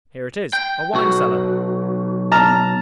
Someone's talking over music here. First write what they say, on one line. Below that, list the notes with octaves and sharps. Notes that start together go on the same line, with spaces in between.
Here it is--a wine-cellar.
G5
B1 F#4
A5 A#5 F6